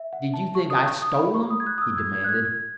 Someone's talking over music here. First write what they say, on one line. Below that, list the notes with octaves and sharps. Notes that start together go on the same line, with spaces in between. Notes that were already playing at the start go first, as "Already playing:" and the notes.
"Did you think I stole them?" he demanded.
Already playing: E5
F#5
A5
C#6
D#6
C#6
D#6
B5
C#6
D#6
G#6
F#6
D#6
E6
G#6
G#6
F#6
G#6
G#6